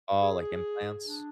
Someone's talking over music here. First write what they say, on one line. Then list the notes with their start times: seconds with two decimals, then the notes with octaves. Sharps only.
Oh, like implants?
0.22 G#4
1.07 D4